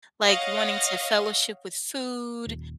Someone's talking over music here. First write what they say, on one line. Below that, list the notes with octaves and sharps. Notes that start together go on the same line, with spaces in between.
like, wanting to fellowship with food
C#5 D#5 F5 F#5
D#1